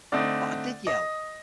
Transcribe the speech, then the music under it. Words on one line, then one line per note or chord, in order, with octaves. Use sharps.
But I did yell.
D3 A3 C4 D#4 D5
D#5